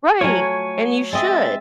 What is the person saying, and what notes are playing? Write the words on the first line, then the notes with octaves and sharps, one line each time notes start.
Right, and you should.
F#3 A3 F4 C#5 G#5
G#3 C4 D#5 E5 A6